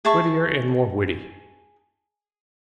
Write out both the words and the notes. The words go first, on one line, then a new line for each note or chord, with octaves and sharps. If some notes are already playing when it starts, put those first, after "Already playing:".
'Wittier and more witty.
G#4 E5 A5 C#6